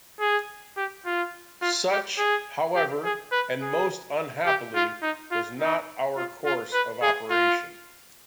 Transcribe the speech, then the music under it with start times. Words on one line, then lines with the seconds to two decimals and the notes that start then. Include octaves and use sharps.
Such, however, and most unhappily, was not our course of operation.
0.20 G#4
0.77 G4
1.05 F4
1.62 F4
1.91 G4
2.18 G#4
2.76 G4
3.04 G#4
3.32 B4
3.61 G#4
4.46 G4
4.75 F4
5.02 D#4
5.31 F4
5.60 D#4
6.16 F4
6.45 F4
6.73 B4
7.02 G#4
7.30 F4